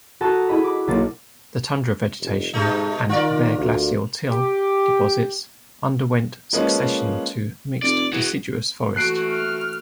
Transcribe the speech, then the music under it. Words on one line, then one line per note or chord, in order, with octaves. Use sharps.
The tundra vegetation and bare glacial till deposits underwent succession to mixed deciduous forest.
F#4 A4 A5 A#5 D#6
E4 G#4 D#5 B5
B5 D6
B1 A#3 A6
F1
G#2 B2 A3 D#4
D#3 F4 A#4 D5
D2
G4
F3 G#3 A#3 B3 C#4
F1 D5
E3 F#4 G#4
E3 A3 F#4 F#6 C7 D7
F6